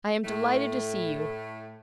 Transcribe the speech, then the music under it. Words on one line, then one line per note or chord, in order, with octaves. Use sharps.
I am delighted to see you.
A2 A3